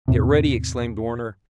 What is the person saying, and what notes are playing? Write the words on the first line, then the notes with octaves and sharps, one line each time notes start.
"Get ready!" exclaimed Warner.
E2 A2 C3